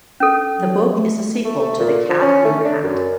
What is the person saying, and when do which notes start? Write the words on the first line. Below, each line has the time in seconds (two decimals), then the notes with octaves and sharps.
The book is a sequel to "The Cat in the Hat".
0.20 C#4 A4
0.59 F#3
0.95 A3
1.45 A3
1.60 A3
1.79 A#2
2.09 F3
2.22 C#4
2.45 A3
2.65 D4
2.84 F#2